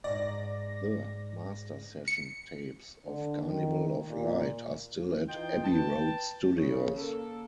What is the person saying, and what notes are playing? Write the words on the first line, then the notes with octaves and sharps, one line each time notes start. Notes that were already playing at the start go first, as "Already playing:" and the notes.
The master session tapes of "Carnival of Light" are still at Abbey Road Studios.
G#2 D5 A#6
C#7
D3
D#3
A#2
E3 D#4 F4 G5
B4 G5 A5
C#3
A#3 A4